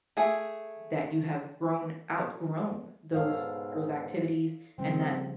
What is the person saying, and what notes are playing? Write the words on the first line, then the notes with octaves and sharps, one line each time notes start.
that you have grown outgrown those those activities and that
A3 G#4
C#2 G#2 B2 A4 C#5 F5
C#3 F3 G3 C4